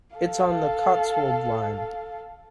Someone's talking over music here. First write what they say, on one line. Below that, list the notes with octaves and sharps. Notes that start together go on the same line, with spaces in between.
It is on the Cotswold Line.
A4 F5